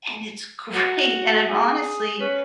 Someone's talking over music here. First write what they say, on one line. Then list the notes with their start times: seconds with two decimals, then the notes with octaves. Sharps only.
and it's great, and I'm honestly
0.74 F#4
1.48 G#4
2.20 C#4 B4